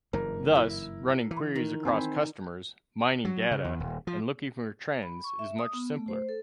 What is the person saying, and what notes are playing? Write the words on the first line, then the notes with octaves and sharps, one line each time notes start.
Thus, running queries across customers, mining data, and looking for trends is much simpler.
F#1 G2 E3 A#4
E4
E3
D#3
C4 G#5 B5
F#3
C#3
E2
D#1
F3
B5
C#6
E5
D#6
B3
A3
C5
A4